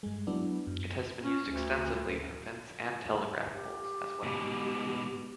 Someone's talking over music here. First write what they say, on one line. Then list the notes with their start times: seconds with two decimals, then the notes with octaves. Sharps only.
It has been used extensively for fence and telegraph poles as well.
0.03 G2 G#3
0.27 F#3 B3 D4 E4
0.67 F#2
1.23 C#4
1.47 D2
3.54 G4
4.23 G#2 B2